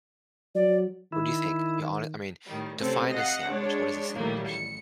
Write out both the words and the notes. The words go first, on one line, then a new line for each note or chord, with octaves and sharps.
What do you think? Your hone I mean, define a sandwich, what is a sandwich?
F#3 D5
D#3 E4
A2 D#3 G3
C3 A3 C4 C#4 A4
D#5 F5 F#5 A#6
G#3 D4 C#5
A#1 A2 D#3 F#3 G3 A#3
A1 C#7